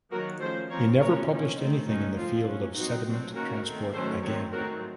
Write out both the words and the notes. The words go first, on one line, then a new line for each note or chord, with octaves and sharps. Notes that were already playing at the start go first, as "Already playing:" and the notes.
He never published anything in the field of sediment transport again.
D#3 F#3 A#3 F#4 A#4
F3 A3 C#4 A4 C5
F3 C4 A#4 C#5
F#3 A3 C#4 A#4 C#5
F3 A#3 C#4
D#3 A3 C4
F#3 A3 C#4 D#4
F3 C4 F4
F#3 A3 C#4
F#3 C4 D#4 F#4
F#3 A3 C4
D#3 A#3 C#4 F#4 A#4
D#3 A3 C4
D#3 F#3 A3 C#4 A4 C5
D#3 A3 C4 A#4 C#5
D#3 F#3 A3 C4 F#4 A#4